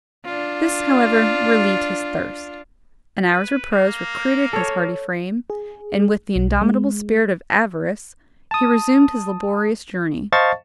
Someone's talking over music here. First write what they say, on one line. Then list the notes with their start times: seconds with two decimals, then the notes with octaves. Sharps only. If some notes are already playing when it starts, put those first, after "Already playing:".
This, however, relieved his thirst; an hour's repose recruited his hardy frame, and, with the indomitable spirit of avarice, he resumed his laborious journey.
0.25 D4 F4
3.28 B4
3.71 A#3
4.53 A4 C#5
5.50 G#4
6.36 B1
6.62 G#3
8.51 A5 D#6
10.32 C5 D#5 F5 A5 C#6 A6